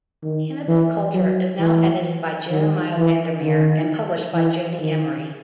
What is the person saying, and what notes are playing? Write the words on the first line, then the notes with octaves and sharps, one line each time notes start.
"Cannabis Culture" is now edited by Jeremiah Vandermeer and published by Jodie Emery.
D#3
E3
F#3
E3
D#3
E3
D#3
E3
D#3